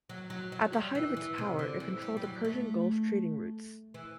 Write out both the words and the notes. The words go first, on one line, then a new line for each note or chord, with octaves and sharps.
At the height of its power, it controlled the Persian Gulf trading routes.
F#3
F#3
F#3
G3
E3
E3
C3
D3
E3
G3
G3
F#3
A3
E3